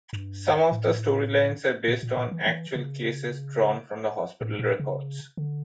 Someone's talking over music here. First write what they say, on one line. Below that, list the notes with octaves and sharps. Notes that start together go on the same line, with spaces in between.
Some of the storylines are based on actual cases drawn from the hospital records.
G2
A2
A#2
A#2
A#2
E3
E3
C#3
A2
A#2
C#3
D3